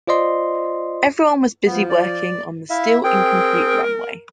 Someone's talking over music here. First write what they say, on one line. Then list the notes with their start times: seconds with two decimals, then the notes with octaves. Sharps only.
Everyone was busy working on the still-incomplete runway.
0.07 F4 C5 D5 D#5 C6
1.66 F3 B3
1.90 D5
2.70 E4 E5 F5
3.04 C4 G#4 A#4 G5